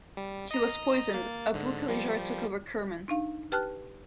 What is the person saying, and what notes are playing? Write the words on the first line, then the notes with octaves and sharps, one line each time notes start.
He was poisoned; Abu Kalijar took over Kerman.
G3
D#5 A#5
A#3 A6
G#2 D3
F3 G3
D4 D#4 F5
G4 B4 G5 A5 F6 F#6